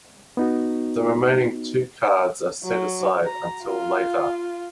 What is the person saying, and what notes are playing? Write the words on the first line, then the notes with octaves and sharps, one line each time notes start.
The remaining two cards are set aside until later.
B3 D#4 F#4
F#3
A#5
F4